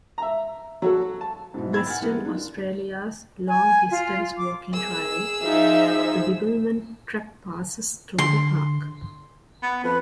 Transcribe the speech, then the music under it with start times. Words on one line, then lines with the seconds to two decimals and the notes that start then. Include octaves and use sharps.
Western Australia's long-distance walking trail, the Bibbulmun Track passes through the park.
0.18 E5 A#5
0.82 F#3 F#4 A4
1.21 A5
1.54 G#2 B2 E4
1.73 G5 B5 E6 G#6 A6
1.87 F#5 G#5 F6 A6
2.00 E3 G3 B3 A#4
2.13 G#3
2.25 D4 D#4 F4
3.48 G#5
3.91 F4
4.37 D6
4.73 G#4 E6
5.42 F3 D#4 E5
8.18 D3 C6
9.63 B3
9.84 F2 B4